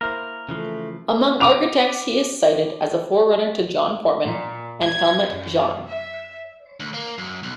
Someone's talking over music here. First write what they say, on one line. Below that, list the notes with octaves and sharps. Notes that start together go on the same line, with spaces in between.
Among architects he is cited as a forerunner to John Portman and Helmut Jahn.
A#3 E4 A#4 C5
C#3 E3 F3 A3
D6 F7
A#2
G#6
F#2
E5
D2
A#3
F#2
B1